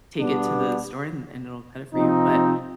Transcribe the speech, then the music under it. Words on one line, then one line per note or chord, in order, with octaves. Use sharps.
take it to the store and and it'll cut it for you, but,
B2 G3 B3 D4
C3 F3 C4 D#4